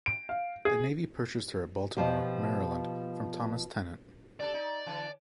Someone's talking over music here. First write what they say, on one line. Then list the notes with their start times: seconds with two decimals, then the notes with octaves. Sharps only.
The Navy purchased her at Baltimore, Maryland, from Thomas Tennant.
0.06 D7
0.29 F5
0.65 G#4
1.97 B2 F3 G4
4.41 G3 D4 A4 D5
4.54 D#4
4.86 D3 E3